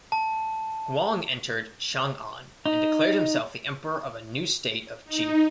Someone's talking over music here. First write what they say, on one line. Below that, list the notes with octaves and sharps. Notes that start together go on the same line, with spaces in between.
Huang entered Chang'an and declared himself the emperor of a new state of Qi.
A5
D#4
D#4